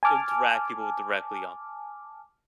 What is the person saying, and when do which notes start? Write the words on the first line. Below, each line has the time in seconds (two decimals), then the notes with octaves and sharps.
interact people with directly on
0.03 G#5 A5 D6 F6